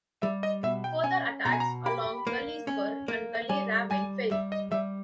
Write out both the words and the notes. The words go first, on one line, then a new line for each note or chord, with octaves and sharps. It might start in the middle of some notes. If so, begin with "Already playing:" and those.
Further attacks along Gully Spur and Gully Ravine failed.
G3 E5
D#5
B2 E5
G5
C#4 G#5
B2 A#5
G#5
A#5
G4 B5
A#3
C#4
A#3
G3 G#5
G3 G#5
G3 E5
D#5
G3 E5